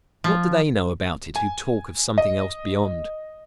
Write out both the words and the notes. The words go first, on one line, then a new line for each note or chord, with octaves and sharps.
What do they know about it who talk of something else beyond?
F3
G#5
D#5